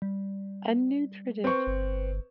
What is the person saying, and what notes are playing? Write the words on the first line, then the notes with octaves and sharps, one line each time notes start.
a new tradition.
G3
C4 B4 C#6
G1